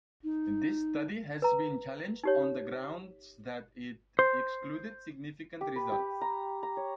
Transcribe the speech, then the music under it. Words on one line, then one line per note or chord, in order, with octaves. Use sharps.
This study has been challenged on the grounds that it excluded significant results.
D#4
B4 A#5
D#4 G4 C#5
C5
G4
B4
G4
A#5
A#5
C#5